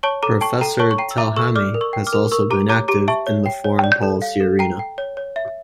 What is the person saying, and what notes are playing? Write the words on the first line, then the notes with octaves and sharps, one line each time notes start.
Professor Telhami has also been active in the foreign policy arena.
C#5 A5 C#6
A4 A#5 D6
G5 A5 C#6
A4 G5 A#5
C#5 A5 C#6
C#6
G5 A#5
E6
E5 A#5 D6
A4 C#6 E6
D5 D6 F6
A#4
C#6 E6
G5
D6 F6
A#4
A#4 C#6 E6
G4 A#5 D6
C#5 A#5 D6
G4 A#5 D6
E5 A5 C#6
C#5
G5
C#5
D5
A4
F5
A4
G5 A#5
G5
C#5
C#5
E5